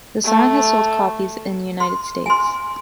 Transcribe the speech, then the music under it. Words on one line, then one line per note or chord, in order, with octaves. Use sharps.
The song has sold copies in United States.
A3
C6
G#5 C6